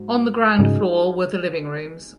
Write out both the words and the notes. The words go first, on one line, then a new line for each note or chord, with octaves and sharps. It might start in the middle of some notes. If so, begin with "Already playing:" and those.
On the ground floor were the living rooms.
Already playing: G#2 F#3
G#2 C#3 F#3 D#4 G#4